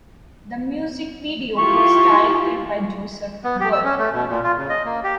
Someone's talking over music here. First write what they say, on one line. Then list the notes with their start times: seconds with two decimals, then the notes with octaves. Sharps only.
The music video was directed by Joseph Bird.
1.58 E4 F4 G4 C#6
3.44 B3
3.60 G4
3.73 E6
3.85 C#4
3.98 A3
4.13 B2
4.29 A#2
4.44 F4
4.57 C#3
4.69 D#5
4.85 A#3
5.04 G4